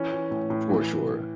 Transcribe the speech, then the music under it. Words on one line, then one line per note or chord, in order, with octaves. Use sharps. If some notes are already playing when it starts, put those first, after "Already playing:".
Sure, sure.
Already playing: E3 C#4
E3
A2
A2
E3